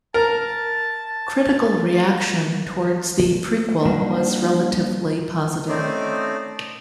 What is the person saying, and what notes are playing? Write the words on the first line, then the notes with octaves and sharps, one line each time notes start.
Critical reaction towards the prequel was relatively positive.
A#4 A5
F3 G3 A#3 D4 D#4 F#4
A3 C4 C#4 D#4 C5 D5